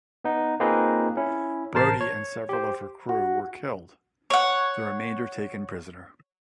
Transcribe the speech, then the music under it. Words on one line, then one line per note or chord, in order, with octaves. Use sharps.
Brodie and several of her crew were killed; the remainder taken prisoner.
B3 D#4
A#3 C4 D#4 F4 G#4 B4
C#4 E4
A1 A#4 C5 A5 A6 C7
C#5
G4 C5
F#4
C#5 F#5